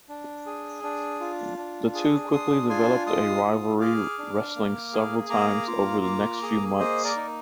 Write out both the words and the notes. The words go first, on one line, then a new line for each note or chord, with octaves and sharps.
The two quickly developed a rivalry, wrestling several times over the next few months.
D4
G#4
D4
F4
D4
G#4
D4 C6 D#6
F4 G#5 C6
G#3 C6 D#6
F4
G#4 D6 F6
D4
A#3
G#4
A#3 A#5 D6
F4
A#3
G#4
A#3 C5 D#5
A#4 D5
D#4